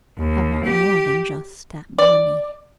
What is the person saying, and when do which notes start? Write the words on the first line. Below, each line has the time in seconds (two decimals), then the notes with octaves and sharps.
I want more than just that money.
0.19 D#2
0.64 G4
1.98 D5